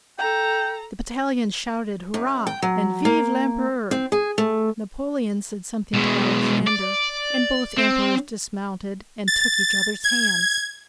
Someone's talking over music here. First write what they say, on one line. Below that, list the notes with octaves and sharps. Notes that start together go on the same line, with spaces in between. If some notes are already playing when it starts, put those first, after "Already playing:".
The battalions shouted "Hurrah!" and "Vive l'Empereur!" Napoleon said something to Alexander, and both Emperors dismounted and took each other's hands.
A4 G5 A#5
F#2
G5
F#3
A#3
C4
G#4
A3
B2 G#3
D5
C4
A6
G#6